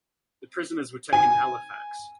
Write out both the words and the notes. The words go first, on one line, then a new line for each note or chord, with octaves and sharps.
The prisoners were taken to Halifax.
G#5